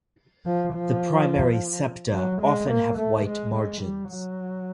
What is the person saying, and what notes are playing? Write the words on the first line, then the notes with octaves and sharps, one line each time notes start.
The primary septa often have white margins.
F3
F3
F#3
G#3
A#3
A3
G#3
G#3
G3
F#3